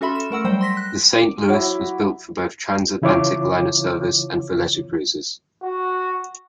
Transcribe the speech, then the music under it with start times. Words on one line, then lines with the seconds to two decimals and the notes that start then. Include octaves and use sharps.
The "Saint Louis" was built for both transatlantic liner service and for leisure cruises.
0.01 C#4 F#4 A4 E5 B5 C6
0.15 E7
0.31 A3 A#4 F#5 E6
0.44 F#3 G3 C5 F#5 G5
0.61 C6 A#6 B6
0.77 F#6
1.19 D6
1.49 F#3 E4
3.02 C#3 E3 E4 F4 C#5 D6
5.63 F#4